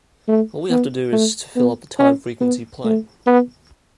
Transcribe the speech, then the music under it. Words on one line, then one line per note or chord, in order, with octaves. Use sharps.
All we have to do is to fill up the time-frequency plane.
A3
B3
A3
B3
C#4
B3
A3
B3